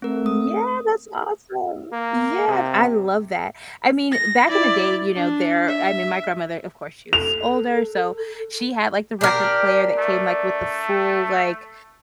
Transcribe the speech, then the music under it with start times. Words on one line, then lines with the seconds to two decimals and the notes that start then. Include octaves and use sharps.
Yeah, that's awesome! Yeah, I love that. I mean, back in the day, you know, there I mean, my grandmother, of course, she was older, so she had, like, the record player that came, like, with the full, like,
0.02 A3 C4 A#4
0.26 D#6
1.93 A#3
2.48 C3
4.12 A#6
4.49 E4 D5
5.16 D4
5.68 E5
7.13 A4 F7
9.21 D4 G4 A#4
9.98 A3